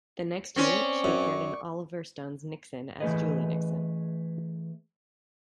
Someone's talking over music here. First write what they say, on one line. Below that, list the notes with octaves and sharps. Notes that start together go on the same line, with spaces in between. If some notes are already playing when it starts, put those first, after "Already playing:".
The next year, she appeared in Oliver Stone's "Nixon" as Julie Nixon.
C4 C#4 D5 C#6
F#2
E3 A3 A#3 G#4 B4 D#5